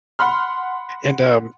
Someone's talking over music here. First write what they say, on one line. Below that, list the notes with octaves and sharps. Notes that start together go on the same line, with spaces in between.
and, um,
F#5 B5 C6 F6